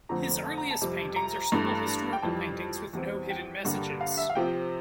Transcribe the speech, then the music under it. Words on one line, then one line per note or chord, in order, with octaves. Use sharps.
His earliest paintings are simple historical paintings with no hidden messages.
F2 D3 F3 A3 C4 A#5
A5
A#5
A5
F2 C3 G3
A#5
G2 E3 A3
G5
F2 E3 G3 A5
E2 E3 G3 C4
G5
G2 D3 G3 A#3
F5
E5
F5
C3 F3 C4 G5